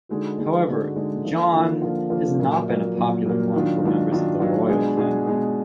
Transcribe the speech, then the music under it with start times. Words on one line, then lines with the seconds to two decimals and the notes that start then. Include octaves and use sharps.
However, "John" has not been a popular one for members of the royal family.
0.09 D3 G#3 D#4 F#4
0.38 D3 G#3 D#4 F#4
0.67 D3 G#3 D#4 F#4
0.96 D3 G#3 D#4 F#4
1.24 D3 F3 A#3 F4
1.53 D3 F3 A#3 F4
1.82 D3 F3 A#3 F4
2.10 D3 F3 A#3 F4
2.39 A#2 F#3 A#3
2.68 A#2 F#3 A#3
2.96 A#2 F#3 A#3
3.25 A#2 F#3 A#3
3.54 D#3 F#3 D4 F4
3.82 D#3 F#3 D4 F4
4.12 D#3 F#3 D4 F4
4.40 D#3 F#3 D4 F4
4.69 B2 G#3 D4 G#4
4.97 B2 G#3 D4 G#4
5.26 B2 G#3 D4 G#4